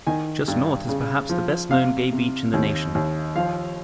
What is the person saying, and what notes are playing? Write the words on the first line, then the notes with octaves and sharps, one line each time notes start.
Just north is perhaps the best known gay beach in the nation.
D#3 G#5
G2
C#3
F3
C3 F5
C3
D#2
D#2
F3 F5